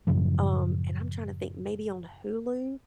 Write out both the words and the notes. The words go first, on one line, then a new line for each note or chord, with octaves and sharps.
um, and I'm trying to think, maybe on Hulu?
F#2 A2 C#3 F3